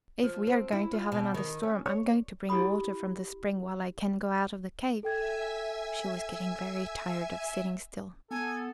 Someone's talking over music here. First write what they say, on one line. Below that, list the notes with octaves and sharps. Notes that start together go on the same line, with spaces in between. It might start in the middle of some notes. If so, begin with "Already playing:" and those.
"If we are going to have another storm I am going to bring water from the spring while I can go out of the cave." She was getting very tired of sitting still.
F3
C4
E4
F4
B2
D#3
C#4
C#5
E4 G4 G#4 B5 D#6
A4 E5 G5 G#5 E6 G#6
B3 A4 G#5